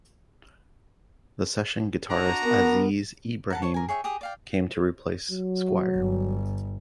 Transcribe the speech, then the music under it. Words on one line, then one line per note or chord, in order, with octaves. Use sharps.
The session guitarist Aziz Ibrahim came to replace Squire.
D4 F#4 A#5
B3 A#4
A#4 F#5 A5
C#5 A5 C#6
A#4 G#5
G#4 C#5 E5 G5
G4 G#4 D#6
D5 F5 G5
F#3
G1